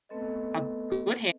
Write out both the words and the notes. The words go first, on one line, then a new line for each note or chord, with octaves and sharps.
a good
A3 B3 C4 A4 B4 D#5